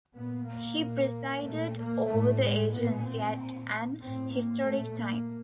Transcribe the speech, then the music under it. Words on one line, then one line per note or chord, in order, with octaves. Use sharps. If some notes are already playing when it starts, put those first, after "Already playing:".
He presided over the agency at an historic time.
A#2 B3
A#3
A#2
A#2 A3
A#3
A2 A3
G#3
A#2 B3
C4
A#2
A2 C4
A#3
A#2 A3
A#3